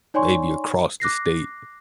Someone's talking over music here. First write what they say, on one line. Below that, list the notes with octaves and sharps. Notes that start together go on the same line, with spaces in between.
maybe across the state.
D#4 C#5 D5 G#5 C6 C#6
D6 F#6 A#6 C7